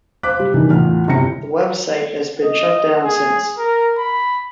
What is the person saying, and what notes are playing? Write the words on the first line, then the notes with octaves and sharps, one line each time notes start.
The website has been shutdown since.
C5 F5 D6 F#6 B6
G3
D#3 E3 G3 D4 D#4
E2 A2 F4 F6
G1 C3 E4 G5 A#6 C#7
D#5
G#4
A#4
B5